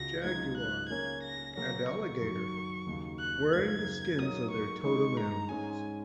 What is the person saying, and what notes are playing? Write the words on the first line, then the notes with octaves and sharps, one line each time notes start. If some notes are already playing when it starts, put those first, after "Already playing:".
"Jaguar" and "Alligator," wearing the skins of their totem animals.
Already playing: C#2 C#3 G#3 F#4 A#6
C#2 C#3 F#3 D#4 G#6
F#6
C#3 A#3 C#4 A#4 C#5 G#6
A#6
C#3 F#3 A#3 F#4 C#5 A#6
C#6
F#2 D#3 F#3
D#2 C#3 F#3 D#4
F#6
F#2 C#3 A#3 D#4 G#6
F#3 A#3 D#4 A#4 C#5 D#6
C#6
D#3 G#3 D#4 C#6
A#5
G#2 G#3 C#4 G#4 G#5